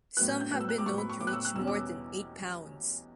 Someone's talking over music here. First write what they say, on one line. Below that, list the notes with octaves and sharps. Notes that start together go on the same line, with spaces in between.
Some have been known to reach more than eight pounds.
A2 F#3 B3 F#6
G6
G6
A2 F#3 B3 F#6
E6
F#6
D6
A2 F#3 B3 C#6
B5
C#6
A2 F#3 B3 D6
F#6
E6
F#6
E2 B2 G3 C#4 E6
D6